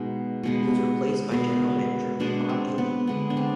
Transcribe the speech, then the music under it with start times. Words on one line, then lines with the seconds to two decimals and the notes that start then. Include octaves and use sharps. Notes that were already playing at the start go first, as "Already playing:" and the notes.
He was replaced by general manager, Bob Gainey.
Already playing: B2 G#3 B3 D#4
0.43 B2 G#3 B3
1.31 B2 G#3 B3
2.20 B2 G#3 B3 D4
2.49 C4
2.78 B3
3.07 D3 G#3 B3
3.30 D4
3.37 C4